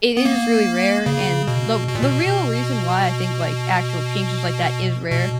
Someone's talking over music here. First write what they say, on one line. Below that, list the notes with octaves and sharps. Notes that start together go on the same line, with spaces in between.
it is really rare and the the real reason why I think, like, actual changes like that is rare,
B3
A#3
C#3
B2
B2
A#2
B2
B2